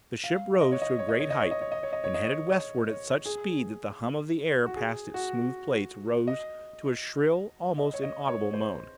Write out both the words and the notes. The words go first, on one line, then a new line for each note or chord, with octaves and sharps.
The ship rose to a great height, and headed westward at such speed that the hum of the air past its smooth plates rose to a shrill, almost inaudible moan.
F5
D#5
C#5
D#5
C#5
D#5
C#5
D#5
C#5
D#5
C#5
D#5
C#5
D#5
C#5
D#5
C#5
C#5
C#5
G#4
F#4
G#4
F#4
D#5
D#5
C#5
D#5
C#5
C5